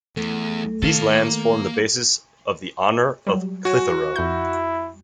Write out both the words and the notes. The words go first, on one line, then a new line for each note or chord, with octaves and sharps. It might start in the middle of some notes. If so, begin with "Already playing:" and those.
These lands formed the basis of the Honour of Clitheroe.
E2 A3
D#3 A4 F5
A#3
F#3 G3
F#4 C#5 G#5
F2 E4 G6